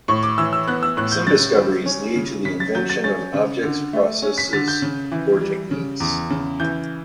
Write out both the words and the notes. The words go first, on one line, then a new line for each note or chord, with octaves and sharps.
Some discoveries lead to the invention of objects, processes, or techniques.
A2 C#6
D6
E3 E6
E6
B3 F#6
E6
A2 F#6
G6
C#3 A6
G3
C#4
C#3
C#3 B6
A6
F#3 G6
A6
C#4 A6
C#3
D3
A3
C#4
B6
D3 A6
G6
C#3
E3
G3
C#3
E2
C#3
E3 G6